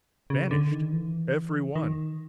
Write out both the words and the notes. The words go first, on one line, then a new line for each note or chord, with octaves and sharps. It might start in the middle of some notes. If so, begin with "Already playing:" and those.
Vanished, every one!
C#3
D3
D#3
E3
D#3